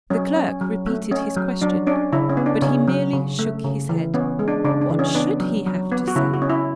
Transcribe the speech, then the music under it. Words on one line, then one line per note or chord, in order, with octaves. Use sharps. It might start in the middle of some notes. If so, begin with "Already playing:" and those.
The clerk repeated his question, but he merely shook his head. What should he have to say?
F#3 C#4
C#4
F#3
A3
C#4
F#3
F#3 D4
C#4 D4
C#3 E4
C#4
B3
D4
C#3 C#4
F#3
C#3
A3
C#3
E3
B3 C#4
G#3
D4
C#3 D4
D4
E3
C#4
B3 D4
F#3
F#3
B3
F#4
C#3 E4
F#4
C#4
E4